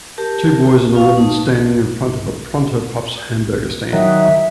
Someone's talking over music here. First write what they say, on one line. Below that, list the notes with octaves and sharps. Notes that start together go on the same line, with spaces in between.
Two boys and a woman standing in front of a Pronto Pups Hamburger stand.
G4 A#4 A5
F4 B4 F5 C#6
D#4 A5
D#3 F#3 E5